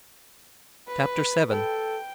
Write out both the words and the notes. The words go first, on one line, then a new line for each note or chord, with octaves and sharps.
Chapter VII.
B4
A4 G5